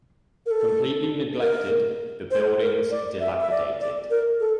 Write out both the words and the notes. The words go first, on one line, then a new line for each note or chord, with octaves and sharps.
Completely neglected, the buildings dilapidated.
A#4
A4
A#4
C5
A#4
D5
E5
E5
D5
D5
A#4
A4